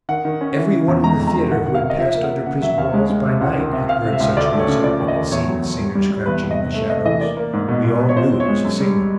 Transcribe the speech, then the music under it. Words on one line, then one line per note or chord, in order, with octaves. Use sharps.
Every one in the theatre who had passed under prison walls by night had heard such music and had seen the singers crouching in the shadows; we all knew it was a signal.
D#3 F#5
D#3
C#4
E3
C#3
E2
G#3 A#5
F2
A#5
D3
D#3 F#5
D#3 F#5
F5
C3
D#5
F3 E5
A#3
F#5
A#3
C#3 F#5
F#3 E5
D#2 F5
G#3
G#3
C3
C#2 F#5
D#3
C3
C3 F5
C3
E5
C#2
D2 D5
A3
C#5
C#3
F3 D5
D#2
D#5
D#2
E2 C#5
F#3
F#3
G3
G3
G3
E2 B4
E2
D#5
C3
A3
C3 D#5
E3 D#5
A#3 D5
A#3
G#2
B2
B2
B2
C#5
F3 C5
C4
C#5
G#3
F#2
G3